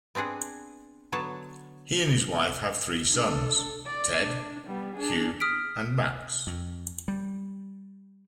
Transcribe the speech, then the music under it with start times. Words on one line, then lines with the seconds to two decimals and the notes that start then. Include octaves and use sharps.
He and his wife have three sons, Ted, Hugh and Max.
0.15 B3 C4 D4 G#4 F#5
1.12 D3 F#3 B3 C#5 A5
3.10 D4 A4
3.87 D5
4.20 D4
4.68 G3 B3
4.96 D4 G#4
5.40 D#6 F6 B6 D7
6.47 F2
7.08 G3